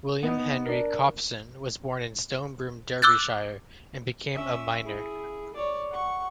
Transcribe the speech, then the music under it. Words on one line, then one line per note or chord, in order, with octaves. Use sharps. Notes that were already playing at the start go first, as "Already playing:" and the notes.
William Henry Copson was born in Stonebroom, Derbyshire, and became a miner.
B3 D#4
D4 A#4
D6 E6 F#6 G6 A6
C#4 E5
E4 G#4
C#5 D5
F#5 C#6